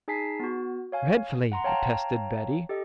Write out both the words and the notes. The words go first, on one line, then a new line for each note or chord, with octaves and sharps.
"Dreadfully," attested Betty.
D#4 G#4 G#5 A5 B6 C7
B3 F#4
C#5 F5 G#5
F#5 A#5 C6
C#5 F5 G5 A5 A#5
G4 A4 D#5